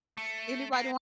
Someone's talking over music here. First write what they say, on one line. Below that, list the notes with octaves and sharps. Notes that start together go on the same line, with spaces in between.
Anybody want?"
A3
A#3